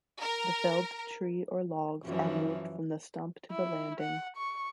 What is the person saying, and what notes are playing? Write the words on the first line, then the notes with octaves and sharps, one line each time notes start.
The felled tree or logs are moved from the stump to the landing.
A#4
F#2 E3 F3
E4
F#5
C#6